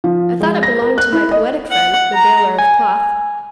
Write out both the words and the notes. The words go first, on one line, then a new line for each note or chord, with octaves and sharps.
I thought it belonged to my poetic friend, the baler of cloth.
F3
G#3
A#6
A#4
F#6
E4
D#5
F#5
A#5
G#5